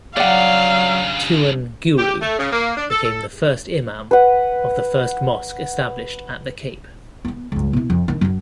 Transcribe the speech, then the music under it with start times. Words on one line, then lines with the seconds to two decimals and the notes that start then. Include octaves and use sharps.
Tuan Guru became the first imam of the first mosque established at the Cape.
0.17 G2 C#3 F#3 D5 F5 F#5
1.98 G4
2.21 A3
2.39 C#3
2.52 A#3
2.77 D4
2.90 A4
3.04 A4
4.11 B4 F#5
7.25 A#3 B3
7.52 C#2 G2
7.73 B2 E4
7.90 F2
8.08 D#3 D4
8.21 F#2 F#3